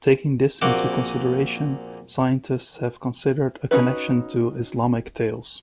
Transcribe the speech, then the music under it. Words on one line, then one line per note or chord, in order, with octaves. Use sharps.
Taking this into consideration, scientists have considered a connection to Islamic tales.
A#1 A#3 C4 F#4 D6
C#4 D#4 F#4 B4